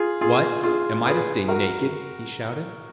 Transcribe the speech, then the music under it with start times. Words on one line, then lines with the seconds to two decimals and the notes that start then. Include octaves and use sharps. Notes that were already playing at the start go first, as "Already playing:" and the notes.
"What, am I to stay naked?" he shouted.
Already playing: F4 G#4
0.21 F4 G#4
0.63 F4 G#4
1.06 G#4 B4
1.48 F#4 A#4